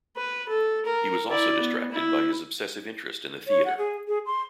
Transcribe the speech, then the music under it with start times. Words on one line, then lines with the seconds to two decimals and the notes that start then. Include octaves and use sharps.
He was also distracted by his obsessive interest in the theater.
0.16 B4
0.49 A4
0.86 A#4
1.29 E4 D5
1.61 B3
1.92 E4
3.48 C#5
3.65 F#5
3.78 G#4
4.08 G#4
4.26 C6